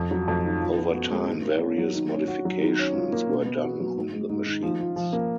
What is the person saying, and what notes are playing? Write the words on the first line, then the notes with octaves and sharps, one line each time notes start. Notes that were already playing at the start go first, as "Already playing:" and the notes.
Over time various modifications were done on the machines.
Already playing: F2
F#3
F2
D#3
F3
B3
F#4
G#3
G#2
A#3
C#4
F#3
D#3
C#4
F#4
F#3
D#3
C#4
F4
A#3
B2
B3
F#4
F#3
G#2
G#3
G#2
D#3
F3
F4
F3
A#3